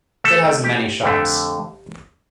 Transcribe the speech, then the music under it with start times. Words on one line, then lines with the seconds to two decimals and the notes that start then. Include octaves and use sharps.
It has many shops.
0.24 A3 A4
0.64 G4
1.03 F2 D3 A3